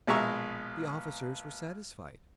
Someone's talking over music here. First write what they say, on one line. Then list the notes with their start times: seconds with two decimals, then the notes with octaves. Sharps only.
The officers were satisfied.
0.07 A#1 B2 G#3 E5 A#5 C#6